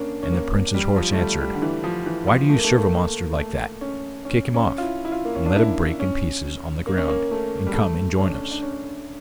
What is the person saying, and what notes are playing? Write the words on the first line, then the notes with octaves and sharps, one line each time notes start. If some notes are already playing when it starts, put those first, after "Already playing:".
And the prince's horse answered, 'Why do you serve a monster like that? Kick him off, and let him break in pieces on the ground, and come and join us.'
Already playing: A#3 C#4 D4
C#4
A#3
G3
F3
A3
G3
G3
D3
E3
F3
E3
F3
A3
A#3
A3
A#3
A3
A#3
A3
C#4
C#4
C#4
F4
E4
E4
F4
A#3
C#4
D4
E4
C#4
A#3
C#4
A#3
A3
G3
A3
C#4
D4
C#4
D4
C#4